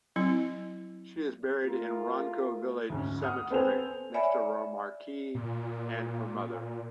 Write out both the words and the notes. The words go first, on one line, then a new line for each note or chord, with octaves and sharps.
She is buried in Ronco Village Cemetery, next to Remarque and her mother.
F#3 C4 E4
A3 F4 A#4
D2 G#2 C#4
F#5 D#6 F6
B3 C4 A4 C5 G#5 F7
C#5 D5 E5 G#5 B5
A#2